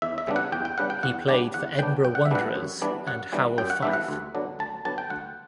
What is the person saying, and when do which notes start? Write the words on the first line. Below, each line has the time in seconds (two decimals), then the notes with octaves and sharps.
He played for Edinburgh Wanderers and Howe of Fife.
0.02 E2 E5
0.18 E5
0.27 C#3 G3 B3 D4
0.36 F#5
0.52 E2 G5
0.65 G5
0.78 C#3 G3 B3 D4 F#5
0.90 G5
1.03 E2 F#5
1.28 C#3 G3 B3 D4 G4
1.54 E2 F#5
1.79 C#3 G3 B3 D4 G5
2.05 F#2 G5
2.15 F#5
2.26 E5
2.31 E3 G3 B3 D4 F#5
2.55 F#2
2.82 E3 G3 B3 D4
3.07 F#2 F#5
3.32 E3 G3 B3 D4
3.58 F#2 G5
3.70 F#5
3.82 E3 G3 B3 D4 E5
3.93 F#5
4.08 D2
4.35 D3 F#3 B3 D4
4.59 D2 A5
4.85 D3 F#3 B3 D4 A5
4.98 G5
5.10 D2 F#5